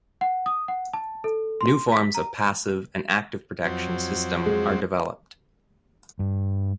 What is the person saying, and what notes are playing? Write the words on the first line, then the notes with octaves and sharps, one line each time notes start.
New forms of passive and Active protection system are developed.
F#5
D#6
F#5
A5
A4
C6
B6
A#5
F2 F#3 C4
G#3
G2